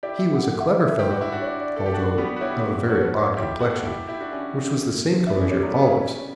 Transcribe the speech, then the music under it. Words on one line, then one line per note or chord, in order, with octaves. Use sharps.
He was a clever fellow, although of a very odd complexion, which was the same color as your olives.
E4 G4 D5
E5
F#5
F#5
E5
D5
E5
G4
F#4
E4
D4 F#4
C#5
D5
A4
G4
D4 F#4
G3 B3
F#4
E4 G4 C#5
C#5
B4
F#4 A4 C#5
B4
C#5
E4 G4
F#4 A4
E4 G4
E4 G4
D4 F#4
C#4 E4
B3 D4 E5
C#4 E4
B3 D4 C#5
F#3 A3
B3 C#5
C#4
G3 B3